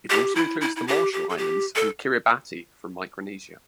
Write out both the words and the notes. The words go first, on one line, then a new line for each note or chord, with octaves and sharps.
It also includes the Marshall Islands and Kiribati from Micronesia.
G4
E4
E4
E4
G4
G4
A4
G4
A4